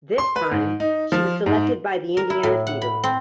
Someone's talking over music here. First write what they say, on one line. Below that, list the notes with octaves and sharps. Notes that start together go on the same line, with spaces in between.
This time, she was selected by the Indiana Fever.
C6
B4
G#2
D#4
F3
G#2
A#4
E4
A2
F#5
B5
C4